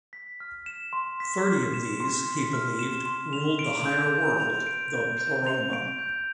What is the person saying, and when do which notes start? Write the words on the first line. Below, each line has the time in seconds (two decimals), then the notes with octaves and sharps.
Thirty of these, he believed, ruled the higher world, the "pleroma".
0.13 B6
0.40 F6
0.66 E7
0.93 C6
1.20 B6
1.46 F6
1.74 E7
2.00 C6
2.27 B6
2.53 F6
2.79 E7
3.06 C6
3.33 F7
3.59 D7
3.86 G6
4.12 G6
4.40 F7
4.67 D7
4.93 G6
5.19 G6
5.47 F7
5.73 D7
5.99 G6